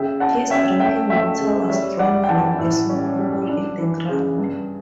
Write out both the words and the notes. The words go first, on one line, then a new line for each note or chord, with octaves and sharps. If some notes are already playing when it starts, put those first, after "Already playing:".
His drinking water was drawn from a small hole in the ground.
Already playing: C#3 C#4 E5 G5
C#4 F#5 A5
C#4 E5 G5
A3 E5 G5
A3 E5 G5
C#3
G3 C#5 E5
G3 D5 F#5
G5
E3 F#5 A5
A2
C#4
G3
D4
E3
C#3
G2